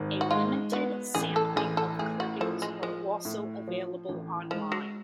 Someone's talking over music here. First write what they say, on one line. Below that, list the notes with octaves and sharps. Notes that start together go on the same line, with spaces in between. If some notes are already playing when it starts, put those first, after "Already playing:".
A limited sampling of clippings are also available online.
Already playing: G#1
F#4
G#3 F4
B3 F#4
A1 G#4
A4
A1 G#4
A4
A2 G#4
F#4
F3 A3
G#3
F3 G#3
A2
F3
A1
F3 G#3
F#3